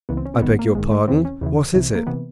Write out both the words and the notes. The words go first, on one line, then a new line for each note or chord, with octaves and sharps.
"I beg your pardon; what is it?"
C#2 C#3 E3 B3
C4
C#4
C4
A1 G#2 D#3 B3
A#3
A1 G#2 D#3 G#3
A3
E2 C#3 E3 C4
C#4
E2 C#3 E3
C2 C3 E3
A#3
C3 E3 B3